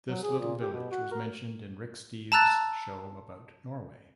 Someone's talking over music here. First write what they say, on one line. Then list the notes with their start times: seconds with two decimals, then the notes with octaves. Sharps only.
This little village was mentioned in Rick Steves' show about Norway.
0.08 F#3
0.23 G#4
0.39 A#2
0.61 G4
0.73 B2
0.91 F#4
1.11 A#4
2.32 A5 A#5 E6 F#6 A6